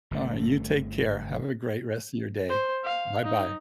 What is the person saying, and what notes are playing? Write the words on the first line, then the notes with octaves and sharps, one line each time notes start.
All right, you take care. Have a great rest of your day. Bye-bye.
G1 D3 A3
C5
F5
D#4